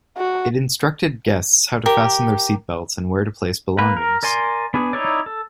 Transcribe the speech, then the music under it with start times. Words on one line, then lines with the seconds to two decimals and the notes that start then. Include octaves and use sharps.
It instructed guests how to fasten their seat belts and where to place belongings.
0.17 F#4
1.86 G4 A#4
3.78 A#3 B4
3.97 A#4
4.23 A#4 D5 G#5 C6
4.74 B3 D4 G#4
4.93 D#4 E4 C#5 D5
5.26 A4